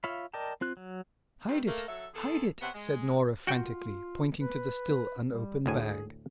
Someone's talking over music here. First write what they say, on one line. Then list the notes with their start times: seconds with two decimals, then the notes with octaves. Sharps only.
"Hide it, hide it!" said Norah frantically, pointing to the still unopened bag.
0.04 F4 C#5 E5 F5 B5
0.34 A#4 D5 D#5 G5 A5
0.61 C4 F4 F#6
0.77 F#3
1.48 C3 D#3 G3 C4 G4 B4
1.66 A3 A#3 A#4
1.88 F#3 A4 E5
2.14 E2 G#4 A4
2.61 C3 B3 C5 C#5 F#5
2.74 G#3
3.47 F4 F#4 F#5 G5
4.39 B4
5.29 G3
5.66 D2 A2 G#4 G#5